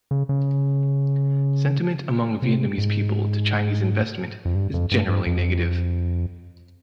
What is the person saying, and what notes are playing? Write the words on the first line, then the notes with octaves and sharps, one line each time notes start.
Sentiment among Vietnamese people to Chinese investment is generally negative.
C#3
C#3
C3
G#2
F2
G2
F2
G2
G2
F2